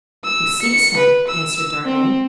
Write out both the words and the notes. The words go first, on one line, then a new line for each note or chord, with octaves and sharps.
"Who seeks him?" answered Darnay.
E6
C#7
B4
E6
C4